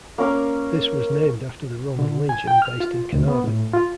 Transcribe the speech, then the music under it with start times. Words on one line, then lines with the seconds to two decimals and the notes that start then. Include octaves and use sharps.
This was named after the Roman legion based in Caernarfon.
0.18 A#3 C#4 A#4 D6
1.99 D3
2.29 G#5
2.47 G5
2.62 F6
2.80 F4
3.13 D2
3.28 B3
3.44 A2
3.73 F4